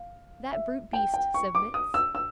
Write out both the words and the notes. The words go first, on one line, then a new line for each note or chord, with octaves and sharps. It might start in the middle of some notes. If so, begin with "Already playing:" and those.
That brute beast submits.
Already playing: F5
E5
G5
G5
C#6
D6
D#6
E6
E6